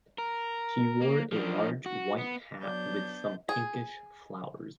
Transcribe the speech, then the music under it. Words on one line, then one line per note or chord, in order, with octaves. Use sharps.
She wore a large white hat with some pinkish flowers.
A#4
A#3
F3 D4
F#4
B3
F#3 B3 D4 D5 D6 G6
G#4